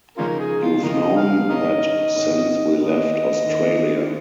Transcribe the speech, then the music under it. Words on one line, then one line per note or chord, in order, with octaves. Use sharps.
You've known that since we left Australia.
C#3 F3 G#3 C#4 D#4 F4 A#4
G#4
F4
C#3 F3 G#3 D#4 A#4 D#5
F5
G#2 D#3 C#4 A#4 D#5
G#2 D#3 C#4
D#2 D#3 A#3 D#5
D#2 D#3 A#3